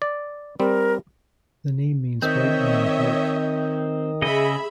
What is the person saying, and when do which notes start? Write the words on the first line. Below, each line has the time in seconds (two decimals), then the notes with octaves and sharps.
The name means white man of work.
0.02 D5
0.60 G3 C4 A#4
2.22 D#3 C4 C#5 D#5 E5
4.22 C#3 G#4 D#5 E5 B5